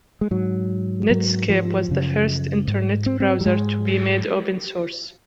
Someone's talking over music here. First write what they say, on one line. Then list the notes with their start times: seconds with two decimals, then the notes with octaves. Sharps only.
Netscape was the first internet browser to be made open source.
0.21 G#3
0.31 G#2 F#3
1.10 G#2 F#3
1.49 F3
1.89 F#2 C#3
2.68 G#2
3.06 C4
3.20 C4
3.41 F#3
3.46 G#2 G#3